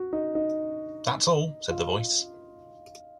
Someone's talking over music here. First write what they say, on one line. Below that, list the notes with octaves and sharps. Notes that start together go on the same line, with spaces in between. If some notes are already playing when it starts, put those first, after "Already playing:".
"That's all," said the Voice.
Already playing: F#4
D#4
D#4
F4